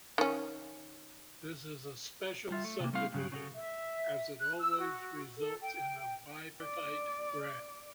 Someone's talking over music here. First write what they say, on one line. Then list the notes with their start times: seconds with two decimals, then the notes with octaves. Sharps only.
This is a special subdivision, as it always results in a bipartite graph.
0.18 D#3 C#4
2.50 G3 F4 E5
2.64 A3
2.80 C3 A#3
2.93 G3 A3 C4 E4 F5
3.13 G2 C#3 F#3
3.32 C#3 C#4 F#4 G#4 A4
3.55 E5
4.40 F#6
4.59 E6
4.81 F#4
5.38 A4
5.61 G5
6.61 D5